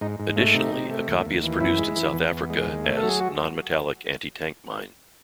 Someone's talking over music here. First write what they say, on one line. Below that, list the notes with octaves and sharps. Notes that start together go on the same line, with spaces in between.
Additionally, a copy is produced in South Africa as "Non-metallic anti-tank mine".
G#2 D#4
G#2
A3 C#4
C3 D#4
C3
A3
D#2
D#2
E3
F#2 E4
G#3
E3
E2
E2
G#3
D#2
A3
A4
F#3
G#4
F#4